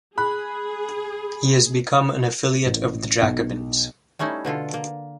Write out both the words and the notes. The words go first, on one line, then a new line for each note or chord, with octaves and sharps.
He is become an affiliate of the Jacobins.
G#4 B5 F#6
A1
B1
G3 A3 C#4 D#4 E4
B2 D3 F4 A4
A#3